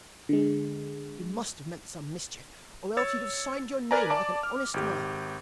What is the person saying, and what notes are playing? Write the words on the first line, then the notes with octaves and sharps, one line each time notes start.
You MUST have meant some mischief, or else you'd have signed your name like an honest man.'
D3 G#3
C#5 E6 A6
A#4 B4 D5 G#5 A#5
D5 A5 D6
F6
G#1 G4